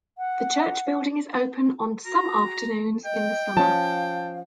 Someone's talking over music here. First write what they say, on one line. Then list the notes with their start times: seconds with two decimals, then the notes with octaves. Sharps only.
The church building is open on some afternoons in the summer.
0.18 F#5
2.06 F#4 A#5
3.05 D#5 G5
3.57 F3 C#4 F5 A5